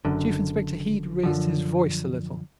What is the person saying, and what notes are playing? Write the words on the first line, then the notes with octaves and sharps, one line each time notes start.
Chief Inspector Heat raised his voice a little.
F#1 F#2 D3
F#2 D3 F3